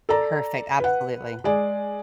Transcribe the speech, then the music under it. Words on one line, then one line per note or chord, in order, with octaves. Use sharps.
Perfect, absolutely.
A4 D5 A#5
B4 F#5
G#3 G#4 D5 G#5